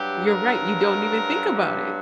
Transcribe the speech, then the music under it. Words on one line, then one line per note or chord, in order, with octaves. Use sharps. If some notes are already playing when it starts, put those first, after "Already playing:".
You're right, you don't even think about it.
Already playing: G2 F#3 G4
A#4
G4